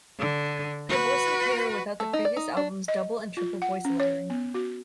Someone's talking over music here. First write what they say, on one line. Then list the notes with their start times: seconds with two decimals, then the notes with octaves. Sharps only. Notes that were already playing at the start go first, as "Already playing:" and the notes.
Her voice is clearer, without the previous album's double and triple voice layering.
0.20 D3
0.89 F#4 B4
2.00 A3
2.13 D#4
2.25 D5
2.36 D#4
2.57 D4
2.88 D#5
3.37 F4
3.62 F#5
3.85 C#4
4.00 C#5
4.30 B3
4.54 F#4